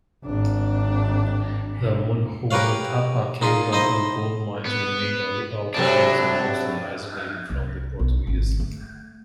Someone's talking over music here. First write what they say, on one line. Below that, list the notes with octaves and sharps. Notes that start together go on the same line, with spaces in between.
The Munhumutapa Kingdom and gold mines remained autonomous and mostly isolated from the Portuguese.
G#1 D4
G4 A#4 B4 C#5 F5
A#2 D#4 F4 G#4
D#4 E4 C5 D#5
B3
A2 C3 F#3 D4
C2
B1
G#1 D3
A3